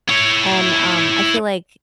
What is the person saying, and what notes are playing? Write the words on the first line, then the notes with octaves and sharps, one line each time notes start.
And, um, I feel like
E4 C#5